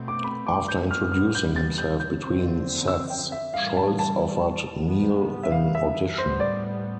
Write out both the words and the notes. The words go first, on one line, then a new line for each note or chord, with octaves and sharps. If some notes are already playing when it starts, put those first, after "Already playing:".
After introducing himself between sets, Scholz offered Neal an audition.
Already playing: B2 A3 C4
D6
B5
D6
G6
C3 G3 B3 F6
F6
G6
A6
G6
G6
D3 F3 C4
E6
G5
E5
A2 E3 G3 F5
A5
A5
C3 G3 B3
E5
F5
E5
A2 G3 B3 C5
D5